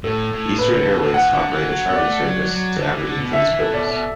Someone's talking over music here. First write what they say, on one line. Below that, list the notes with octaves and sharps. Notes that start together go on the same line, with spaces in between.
Eastern Airways operate a chartered service to Aberdeen for this purpose.
A2 A4
A2
A2 B4
D3
B2
A2
A2 F#5
D3
E3
F#3
B3
D5
A3
F#3
F#3
D3
E3
D3
B2
D3 E5
E3
A4
B2 D5
B2 D5